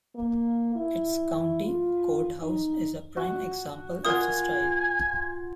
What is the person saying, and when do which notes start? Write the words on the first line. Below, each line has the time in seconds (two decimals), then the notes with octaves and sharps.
Its County Courthouse is a prime example of the style.
0.16 A#3
0.75 E4
1.63 F4
2.42 D#4
3.17 F#4
4.05 F4 A#4 F5 F#5 G#5 D#6